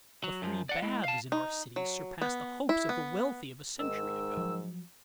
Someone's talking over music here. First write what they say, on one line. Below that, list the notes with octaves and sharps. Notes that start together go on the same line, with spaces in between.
The free baths in our cities surpass the hopes of the wealthy of a century ago.
F#3
F#2 F3
D5 F#5
G#3 E4
F5 A5
D#4
F#3
B3
E4
B3
G#2 D#3 E6
F3 F#3